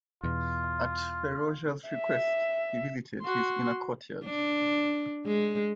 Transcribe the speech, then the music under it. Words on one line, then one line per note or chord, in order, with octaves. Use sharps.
At Ferozshah's request, he visited his inner courtyard.
E2 B2 F4
E5
F#4 C6
D4
G#3